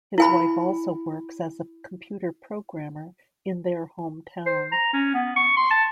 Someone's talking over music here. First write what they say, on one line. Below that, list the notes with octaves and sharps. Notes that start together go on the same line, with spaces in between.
His wife also works as a computer programmer in their home town.
E4 G#5 B5
C5
A#5
C#4
B3
C#6
C6
A5